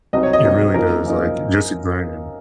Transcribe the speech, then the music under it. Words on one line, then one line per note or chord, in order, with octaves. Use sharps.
It really does, like, just grinding.
C2 C3 F#3 C4 D#4 D#5
C#5
D#5
C2 C3 F#3 C4 D#4
F#2 F3 A#3 D#4 A#4
F#2 F3 A#3 D#4